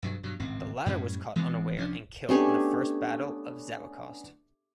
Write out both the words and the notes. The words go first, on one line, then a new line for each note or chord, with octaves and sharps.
The latter was caught unaware and killed in the first battle at Zawichost.
B1 G2 F#3
G2 B2 F#3
D1 G#1 C#2 C4
F#2 A2 G3 C#4
E3 G#3 B3 C4
C2 F3 C#4 D4
A3 B3 C#4 D4 G4 G#4